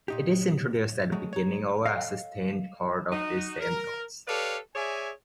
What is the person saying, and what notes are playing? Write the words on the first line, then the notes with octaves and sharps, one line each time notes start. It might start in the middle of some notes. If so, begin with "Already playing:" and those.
It is introduced at the beginning over a sustained chord of these same notes.
A#2 D#4 G4
F#3 G#3 A3
D#4 C#5
A4 C#5 D#5 F5
D#4 F#4
A#4
G4 A4 B4 C#5 D5 F5
G#4 C#5 D5 E5 G#5